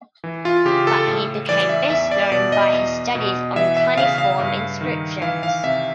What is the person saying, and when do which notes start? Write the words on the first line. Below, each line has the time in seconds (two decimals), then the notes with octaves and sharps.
But he became best known by his studies on cuneiform inscriptions.
0.24 E3
0.45 F4
0.65 C#3 G4
0.87 A4
1.07 A2
1.49 E3 D5
1.69 E5
1.90 E2 E5
2.11 D5
2.32 B2 D5
2.52 D#5
2.73 E2
3.15 B2
3.56 E3 E5
3.77 E5
3.97 C#3 F5
4.18 F5
4.39 G2
4.81 D#3
5.22 E3 F5
5.43 F5
5.64 C3 E5